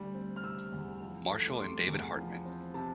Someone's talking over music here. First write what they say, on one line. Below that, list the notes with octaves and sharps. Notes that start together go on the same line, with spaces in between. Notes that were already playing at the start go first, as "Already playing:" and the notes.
Marshall and David Hartman.
Already playing: D2 G3
C4
F6
C3 E6
E2
F3
A3
D6
C3 C6
E2
F3
C4
C3 A5